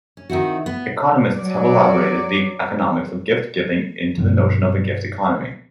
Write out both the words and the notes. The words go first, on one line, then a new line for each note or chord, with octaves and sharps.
Economists have elaborated the economics of gift-giving into the notion of a gift economy.
C#4
D#3 C4 E4 F#4
B3
F#3 D5
G2 B2 F3